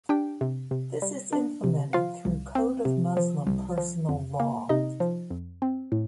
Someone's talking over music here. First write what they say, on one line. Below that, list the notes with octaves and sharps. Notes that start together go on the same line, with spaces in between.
This is implemented through Code of Muslim Personal Law.
D4 G4 G5
C3
C3
G3
D4
C3
F3 F4 F5
C2
C4
C3
F3
C2
F3
F2
A#3
C3 D#4 D#5
F3
F2
C4
A2